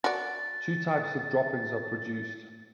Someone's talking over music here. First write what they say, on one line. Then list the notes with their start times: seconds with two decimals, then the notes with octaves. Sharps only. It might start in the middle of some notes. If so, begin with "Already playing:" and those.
Two types of droppings are produced.
0.04 F#4 D5 A6